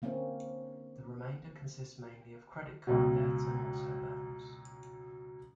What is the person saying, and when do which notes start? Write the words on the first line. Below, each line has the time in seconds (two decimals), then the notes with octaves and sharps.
The remainder consists mainly of credit card debt and auto loans.
0.02 D3 A#3 C4 C#4
2.87 C#2 F#2 B2